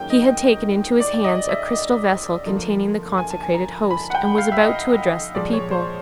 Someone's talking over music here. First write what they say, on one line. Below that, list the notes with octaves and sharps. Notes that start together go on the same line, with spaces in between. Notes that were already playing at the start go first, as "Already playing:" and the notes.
He had taken into his hands a crystal vessel, containing the consecrated Host, and was about to address the people.
Already playing: G#2 D#3 F#3 A#3 C#4 G5
D#5
D5
D#5
E5
D#5
D#5
D3 F3 A#3
G#5
A5
G#5
A#5
B5
F#5
G5
F5
E5
D#5
A#2 F3 G#3 D5
C#5
C5